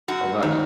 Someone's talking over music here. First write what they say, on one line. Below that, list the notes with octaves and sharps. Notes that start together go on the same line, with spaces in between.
Oh, nice.
F#2 F#4
D#3